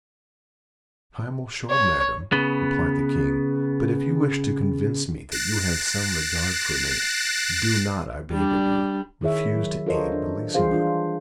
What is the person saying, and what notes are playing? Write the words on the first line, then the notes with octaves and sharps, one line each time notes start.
"Time will show, madam," replied the King; "but if you wish to convince me that you have some regard for me, do not, I beg of you, refuse to aid Bellissima."
C#5
C#3 B3
F#6 A6 A#6 C7 D7 E7
G3 D4
D#3 E4 G#4 C#5 E5
F#3
F4 A4 A#4 C5 C#5 D#5
D4
E3 G3 F4 G#4 C5 F5
D4 F4